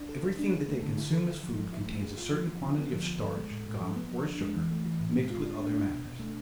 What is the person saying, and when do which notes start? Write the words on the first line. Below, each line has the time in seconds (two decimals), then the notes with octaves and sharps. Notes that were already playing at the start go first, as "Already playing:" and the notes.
Everything that they consume as food contains a certain quantity of starch, gum, or sugar, mixed with other matters.
Already playing: D4
0.09 A4
0.23 G#3
0.38 D4
0.53 G#4
0.68 A3
0.82 D3
0.98 E4
1.13 A4
1.28 E4
1.43 F3
1.58 F3
1.73 E4
1.88 A3
2.02 G#4
2.18 F4
2.32 F3
2.47 F3
2.61 D3
2.77 B3
2.92 F3
3.07 F3
3.21 A4
3.36 G#3
3.51 A2
3.66 A2
3.81 F3
3.96 B3
4.11 F3
4.25 D4
4.41 G#3
4.56 E3
4.70 A3
4.85 E3
5.00 A2
5.16 G#3
5.30 F4
5.45 D4
5.60 D4
5.75 D4
5.90 B2
6.05 B2
6.19 A3